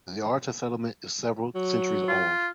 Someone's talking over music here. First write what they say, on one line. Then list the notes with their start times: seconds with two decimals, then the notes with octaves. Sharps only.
The Arta settlement is several centuries old.
1.55 F#3
2.08 F4